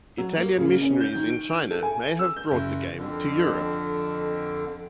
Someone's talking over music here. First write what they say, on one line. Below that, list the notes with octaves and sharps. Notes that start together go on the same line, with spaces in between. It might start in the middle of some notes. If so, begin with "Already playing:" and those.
Italian missionaries in China may have brought the game to Europe.
F#3
A#3
C#3
C#4
G6
D#3
D7
A4
G#5
E6
G6
F#1
F2 D3